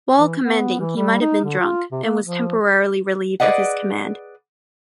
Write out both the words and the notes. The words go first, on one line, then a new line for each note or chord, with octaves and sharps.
While commanding, he might have been drunk, and was temporarily relieved of his command.
E3
B3
E3
G3
D#4
D3
F4
C3
A#3
F3
G#4 B4 D5 D#5 F#5